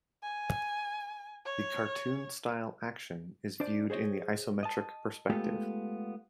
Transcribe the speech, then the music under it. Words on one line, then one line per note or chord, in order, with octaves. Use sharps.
The cartoon-style action is viewed in the isometric perspective.
G#5
C#5
D4 C5 D5
G#4 C5 C#5 D#5
D#5 A5
G#3 A3 B3 F4 G4 A4